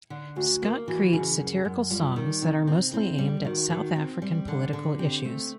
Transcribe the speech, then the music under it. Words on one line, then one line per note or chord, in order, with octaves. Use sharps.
Scott creates satirical songs that are mostly aimed at South African political issues.
D3
D2 F#4
A#3
E3 F#4
C#3
F#2
F#2
G3 F4
D#3
C3 D#4
C4
C4 E4
G3
D#3 F#4
D#3
C4
G3
D3
D3
C4 G4
A3